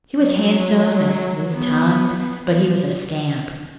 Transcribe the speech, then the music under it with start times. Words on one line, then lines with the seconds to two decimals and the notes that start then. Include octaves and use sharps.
He was handsome and smooth-tongued, but he was a scamp.
0.21 F#3
1.54 B3